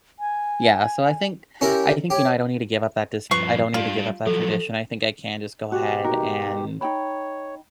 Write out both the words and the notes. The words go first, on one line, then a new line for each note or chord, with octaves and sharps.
Yeah, so I think I think, you know, I don't need to give up that dis I don't need to give up that tradition. I think I can just go ahead and,
G#5
C#4 E4 G4 A#4
G4 C#5
G2 F3 B4 C#6 C7
G3 D4 F4
F3 F#3 A4
B2 G#3 F#4 G4
D#4 F#4 A#4
D#4 C#5 G5 B5